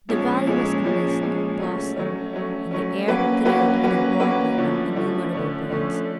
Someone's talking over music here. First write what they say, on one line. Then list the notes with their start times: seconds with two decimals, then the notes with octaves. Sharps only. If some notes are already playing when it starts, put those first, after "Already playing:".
The valley was a mist of blossom, and the air thrilled with the warbling of innumerable birds.
0.09 A#2 F3 G#3 C#4
0.47 A#2 F3 G#3 C#4
0.84 A#2 F3 G#3 C#4
1.21 A#2 F3 G#3 C#4
1.59 F#3 A3 C#4
1.96 F#3 A3 C#4
2.33 F#3 A3 C#4
2.71 F#3 A3 C#4
3.08 F#3 A#3 C#4 F#4 B4
3.45 F#3 A#3 C#4 F#4 B4
3.83 F#3 A#3 C#4 F#4 B4
4.20 F#3 A#3 C#4 F#4 B4
4.57 D3 F3 A3 C#4
4.95 D3 F3 A3 C#4
5.33 D3 F3 A3 C#4
5.70 D3 F3 A3 C#4